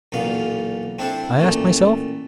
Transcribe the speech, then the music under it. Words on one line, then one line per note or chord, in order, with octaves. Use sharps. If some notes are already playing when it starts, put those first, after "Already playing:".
I asked myself.
B1 E2 A#2 B3 F5
C4 D4 E4 A4 C5
A1 A#2 A3